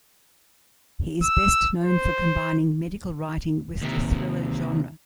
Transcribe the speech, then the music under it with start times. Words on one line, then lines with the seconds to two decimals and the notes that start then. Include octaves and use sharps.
He is best known for combining medical writing with the thriller genre.
1.23 E6
1.82 C5
3.82 D#2 C3